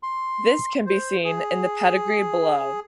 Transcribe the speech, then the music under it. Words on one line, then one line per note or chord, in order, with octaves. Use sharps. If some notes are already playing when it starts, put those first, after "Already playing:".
This can be seen in the pedigree below.
C6
C5
G#4